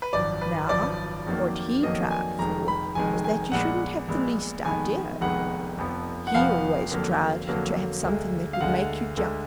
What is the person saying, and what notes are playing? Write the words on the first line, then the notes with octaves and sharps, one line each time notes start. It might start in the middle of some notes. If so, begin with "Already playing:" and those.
Now, what he tried for was that you shouldn't have the least idea; he always tried to have something that would make you jump.
B4
G#1 F#2 F3 D5
B4
G#1 F#2 F3 D5
F2 D#3 F#3 A#3
F2 D#3 F#3 A#3 D#5
G#5
F1 F2 D#3 G#3 A#5
B5
F1 F2 D#3 G#3 G#5
G#5
A#1 A#2 G#3 B3 F#5
A#1 A#2 G#3 B3
F1 F2 D#3 G#3 B3 G#5
F1 F2 D#3 G#3 B3 F#5
F1 F2 F3 B3
F#5
F1 F2 F3 B3 F5
F2 D3 F#3 A#3
F2 D3 F#3 A#3
D2 D3 G#3
F5
D2 D3 G#3 F#5
D2 D3 G#3